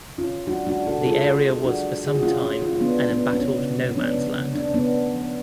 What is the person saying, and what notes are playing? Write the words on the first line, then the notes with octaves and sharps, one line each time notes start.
The area was for some time an embattled no-man's land.
D3
C#4 F4
D3
G#3 D4 F#4
G#3 D4 F#4
D3 F#4 A4
A4
G#3 F4 G#4
C#3
C#3
G#3 D4 F#4
G#3
C#3 G#4
F#4
G#3 C#4 F4
D3 C#4
D3 C#4 F4
F4
G#3 B3 D4
G#3
B3 D4
D3
C#4
C#3 B3 D4
C#3
G#3
C#4
F3 B3 D4
C#3
C#3
C#3 D4
C#4
C#3 B3 D4
A3
F3